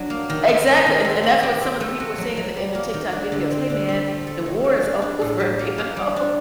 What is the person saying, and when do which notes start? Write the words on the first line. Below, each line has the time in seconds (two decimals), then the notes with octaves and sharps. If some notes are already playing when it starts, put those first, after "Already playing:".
Exactly, and and that's what some of the people were saying in the in the TikTok videos, "Hey man, the war is over, you know,
Already playing: F#3 D4
0.10 A#3
0.30 D#3
0.48 C4
0.67 C4
0.86 D#3
1.05 C4
1.23 C4
1.43 G4
1.61 C4
1.80 A3
2.00 F#4
2.18 F#3
2.37 F#3
2.57 G3
2.75 A#3
2.94 D#3
3.12 D4
3.32 D3
3.51 C4
3.70 D3
3.89 C4
4.08 A3
4.27 A4
4.46 D#3
4.64 D4
4.83 D4
5.02 D4
5.21 A2
5.40 F#3
5.59 A#3
5.78 A#3
5.97 G3
6.16 D4